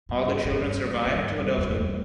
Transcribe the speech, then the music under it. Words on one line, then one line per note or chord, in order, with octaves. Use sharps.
All the children survived to adulthood.
G2
A2
G2
G2
G2
E2
G2
E2
A2
G2